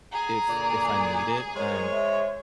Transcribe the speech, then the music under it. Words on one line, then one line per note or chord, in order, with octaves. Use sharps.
if if I need it, and
G#4 A#5
A#2 D3 D5
G#3 A#4 C5 C#5
E5